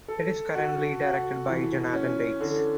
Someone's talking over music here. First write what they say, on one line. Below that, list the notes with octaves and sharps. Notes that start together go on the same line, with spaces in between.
It is currently directed by Jonathan Dykes.
A4
F#4
F#4
E3
C#4
D3